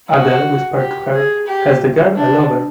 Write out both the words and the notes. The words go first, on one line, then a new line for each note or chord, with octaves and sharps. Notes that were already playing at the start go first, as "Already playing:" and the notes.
Adele whispered to her: "Has the girl a lover?"
F#4
G4
G#4
G4
D4